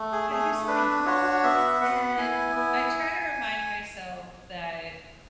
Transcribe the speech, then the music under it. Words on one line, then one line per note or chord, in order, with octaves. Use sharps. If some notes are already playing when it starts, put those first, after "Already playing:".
did I do something wrong?" And I try to remind myself that
Already playing: A3
G#4
A3 G#4
D4 B4
F#4 C#5
B3 E5
B3 F#5
E4 G#5
B3